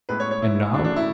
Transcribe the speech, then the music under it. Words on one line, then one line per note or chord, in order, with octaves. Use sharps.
"And now?"
A2 G#3 B3 B4
C#5
C#5
E4
C#3 F#3 A3 D4
D4
E4